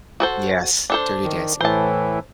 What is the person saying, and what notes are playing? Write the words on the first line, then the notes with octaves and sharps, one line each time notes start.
Yes. Dirty Dancing.
F#4 A4 C5
D4 A4 C5
D#3
A2 E3 C5 A5